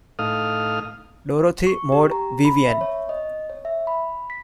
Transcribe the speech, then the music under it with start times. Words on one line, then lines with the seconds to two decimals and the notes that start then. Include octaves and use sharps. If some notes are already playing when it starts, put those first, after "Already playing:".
Dorothy Maud Vivian.
0.19 A2 D#4 A4 F5 D#6 F6
1.67 C#6
1.92 G4
2.11 A#5
2.45 B5
2.67 E5
2.81 C#5
3.09 D#5
3.50 C#5
3.65 E5
3.87 B5
4.30 B6